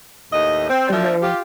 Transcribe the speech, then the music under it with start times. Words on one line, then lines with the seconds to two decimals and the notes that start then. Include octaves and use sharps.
I know.
0.32 D#2 A2 D#5
0.70 C4
0.92 F3 A#3 D4 A#4 E5
1.22 F4 G4